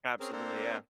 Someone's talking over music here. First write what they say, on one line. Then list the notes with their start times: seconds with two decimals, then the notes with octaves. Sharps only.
Absolutely, yeah.
0.20 C4 C#4 G#4 A#4
0.32 A#3 C4 D4 A4 A#4 C5